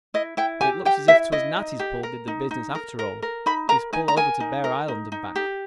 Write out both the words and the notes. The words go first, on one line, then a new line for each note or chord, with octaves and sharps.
"But it looks as if 'twas Natty's pull did the business after all--his pull over to Bear Island and back."
E4 D#5
E4 G5
G4 G#5
G4 G5
E4 E5
E4 D#5
D#4
G4
A#4
D#4
D#4
A#4
A#4
A#4
D#4 B5
A#4 A#5
D#4 G#5
A#5
A#4 G#5
D#4
A#4
D#4
D#4
G4